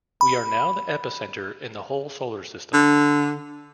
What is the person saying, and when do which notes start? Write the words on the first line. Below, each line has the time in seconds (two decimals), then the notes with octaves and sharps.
We are now the epicenter in the whole solar system.
0.21 B5
2.73 D3